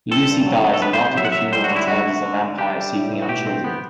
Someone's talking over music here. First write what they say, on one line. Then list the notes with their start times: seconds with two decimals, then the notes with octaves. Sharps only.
Lucy dies and after the funeral returns as a vampire seeking out children.
0.11 C4 A4
0.29 G2
0.46 F#3
0.64 F#3
0.74 A4
0.82 B3 B4
0.93 C5
0.99 C3
1.05 C5
1.17 F#3 E5
1.25 F#5
1.32 F#3 E5
1.52 G3 C5
1.64 F#4
1.70 D3
1.76 E4
1.87 G2 F#4
2.06 A3
2.23 D3
2.41 D3
2.58 D4 G4
2.76 G3
2.93 A2
3.11 A2
3.22 F#4
3.29 B2 G4
3.46 C4
3.64 B3